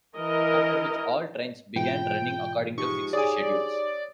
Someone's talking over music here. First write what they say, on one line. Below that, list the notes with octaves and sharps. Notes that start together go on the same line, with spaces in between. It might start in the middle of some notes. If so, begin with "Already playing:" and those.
After which, all trains began running according to fixed schedules.
E3 A#4 D#5
G#2 B2 E3 F4 G5
F3 G#3 D#4 G4 C#6
G#4 C#5 D5 G#5 D#6